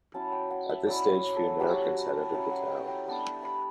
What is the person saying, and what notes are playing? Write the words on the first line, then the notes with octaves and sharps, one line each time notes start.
At this stage, few Americans had entered the town.
F#3 C#4 E4 A5
G5
F#5
E5
F#3 C#4 E4 D5
C#5
A4
F#3 C#4 E4 G4
F#4
G4
F#3 C#4 E4 G4
F#5
G5
G5
G3 B3 D4
B5